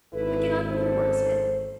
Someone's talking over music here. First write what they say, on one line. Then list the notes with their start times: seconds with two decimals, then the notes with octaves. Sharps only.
But get on with your work, Smith.
0.13 G#1 E4 A4 B4
0.67 D#3 C#4 A4 C5